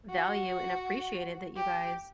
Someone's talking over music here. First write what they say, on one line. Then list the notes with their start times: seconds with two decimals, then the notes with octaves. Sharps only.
value and appreciated that you guys,
0.10 F#4
1.56 G4